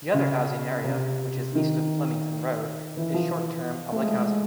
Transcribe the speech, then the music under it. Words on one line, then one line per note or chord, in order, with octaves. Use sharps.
The other housing area, which is east of Flemington Road, is short-term public housing.
C#3
C3
D#3
E3
F3
A3
G#3